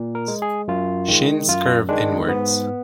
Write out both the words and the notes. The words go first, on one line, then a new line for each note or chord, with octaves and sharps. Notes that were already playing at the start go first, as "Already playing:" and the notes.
Shins curve inwards.
Already playing: A#2
A#4
G#3
G#4
F#2 F4
D#3 G#3
F#2 F4
D#3 G#3 D4
G#2 B3